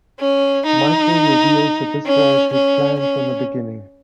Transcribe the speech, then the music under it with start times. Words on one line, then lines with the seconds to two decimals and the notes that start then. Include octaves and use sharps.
Michael reveals that this was his plan from the beginning.
0.20 C#4
0.66 D#4
2.06 C#4
2.53 C#4
2.99 C#4